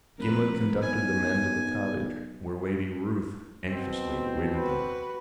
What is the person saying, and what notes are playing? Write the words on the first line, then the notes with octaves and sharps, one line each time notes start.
Gimblet conducted the men to the cottage, where Lady Ruth anxiously awaited them.
F1 A#4 B4
B1 G#5
B2 C4
F#4 B4